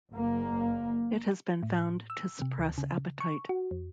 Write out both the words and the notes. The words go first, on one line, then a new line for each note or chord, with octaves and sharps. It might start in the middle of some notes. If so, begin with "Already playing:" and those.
It has been found to suppress appetite.
F#1 A#3
A2
E6
C3
D2
C#3
C#6
F#4
F2